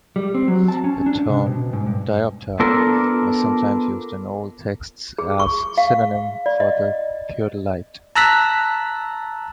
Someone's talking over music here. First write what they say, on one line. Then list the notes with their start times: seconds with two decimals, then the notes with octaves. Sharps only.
The term "diopter" was sometimes used in old texts as a synonym for theodolite.
0.16 G3
0.35 C4
0.48 F#3
0.68 A5
0.84 C#4
1.06 D4
1.30 C3
1.46 B2
1.73 G#2
1.86 G2
2.60 B3 D4 F4 A4 A#4
5.18 G#4
5.39 C#6
5.78 F5
6.46 D5
6.60 D#5
8.16 A5 A#5 E6 F#6 A#6 B6